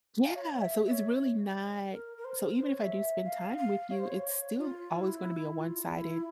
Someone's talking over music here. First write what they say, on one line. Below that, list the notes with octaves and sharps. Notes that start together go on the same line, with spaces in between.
Yeah, so it's really not so even if I do spend time with you, it's still always gonna be a one-sided
F5
C#5
E5
E5
C#5
A#4
A#4
C5
C5
C#5
E5
F5
F5
C#5
C5
C#5
F4
E4
F4
E4